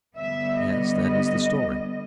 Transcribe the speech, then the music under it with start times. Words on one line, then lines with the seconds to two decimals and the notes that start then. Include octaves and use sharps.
"Yes, that is the story."
0.16 D3 G3 B3 E5
0.60 D#5